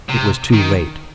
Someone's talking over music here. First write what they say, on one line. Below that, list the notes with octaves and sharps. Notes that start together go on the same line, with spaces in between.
It was too late.
C3
D#3